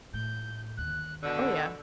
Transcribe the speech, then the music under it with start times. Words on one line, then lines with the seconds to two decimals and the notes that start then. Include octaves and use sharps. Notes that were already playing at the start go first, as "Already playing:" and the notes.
Oh, yeah.
0.14 A2 G6
0.77 G1 D#2 F#6
1.22 B2 D3 E6